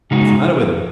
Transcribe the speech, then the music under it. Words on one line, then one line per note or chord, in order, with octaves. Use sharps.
"What's the matter with him?"
C#3 G#3 D#4 F#4